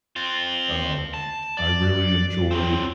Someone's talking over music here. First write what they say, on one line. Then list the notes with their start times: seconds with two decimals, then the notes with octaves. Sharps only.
um, I really enjoyed.
0.16 C4 F4
1.14 A5
1.57 D5
2.51 F#3 C4